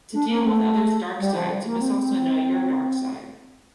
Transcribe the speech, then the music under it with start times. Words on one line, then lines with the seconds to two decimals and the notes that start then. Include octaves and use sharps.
To deal with others' dark sides, you must also know your dark side.
0.13 D4
0.29 A#3
0.44 A3
1.19 G3
1.34 F3
1.49 G3
1.65 A#3
1.79 C4